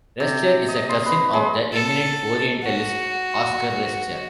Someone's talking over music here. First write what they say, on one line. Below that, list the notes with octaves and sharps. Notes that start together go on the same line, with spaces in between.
Rescher is a cousin of the eminent orientalist Oskar Rescher.
C3
D#5
C6
B4
G#3
A4
F#4